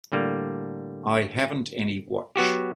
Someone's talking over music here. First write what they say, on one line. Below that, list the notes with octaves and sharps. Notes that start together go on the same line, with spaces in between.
I haven't any watch.
A2 D3 G3 A#3
F#3 B3 F#4 G4